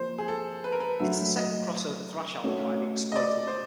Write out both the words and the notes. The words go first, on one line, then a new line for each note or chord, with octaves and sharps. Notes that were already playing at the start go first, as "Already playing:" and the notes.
It's the second crossover thrash album by The Exploited.
Already playing: F3 A#3 C5
G#4
A4
B4
A#4
B4
F#3 A3 D4 F#4 E5
D#5
A3 C#4 F#4 A4 C#5
D#5
D5
C5